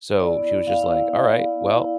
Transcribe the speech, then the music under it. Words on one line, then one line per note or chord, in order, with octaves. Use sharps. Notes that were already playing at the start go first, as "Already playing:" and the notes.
So she was just, like, "Alright, well"
E4 D5
B3
E4
B3 F5
E4
B3
E4
B3
E4
B3
E4